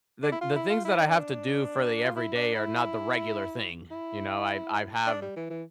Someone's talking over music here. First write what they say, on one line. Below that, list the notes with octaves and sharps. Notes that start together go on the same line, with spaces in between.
the the things that I have to do for the everyday are not the regular thing, you know? I I have
D4
E4
F4
E4
F4
E4
D4
F4
E4
D4
E4
E4
D4
G3
E3
E3